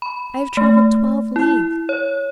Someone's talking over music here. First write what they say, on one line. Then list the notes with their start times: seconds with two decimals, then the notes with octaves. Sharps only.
I have travelled twelve leagues.
0.02 B5
0.57 A3
1.36 E4
1.89 C#5